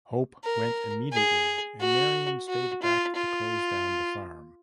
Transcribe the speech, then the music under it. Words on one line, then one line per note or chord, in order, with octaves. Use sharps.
Hope went immediately and Marian stayed back to close down the farm.
A#4
G#4
F#4
F#4
F4
F4